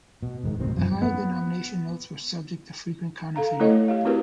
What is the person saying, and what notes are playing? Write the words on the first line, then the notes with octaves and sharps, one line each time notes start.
The higher-denomination notes were subject to frequent counterfeiting.
B2
F1 G#2 D#3
D1 G#1 B2 C4
F#2 F3
B3
A4 F5 A#5
A3 E4 A4 C#5 D#5
G4 F5
C4 E4 F#4 G4 A#4 B4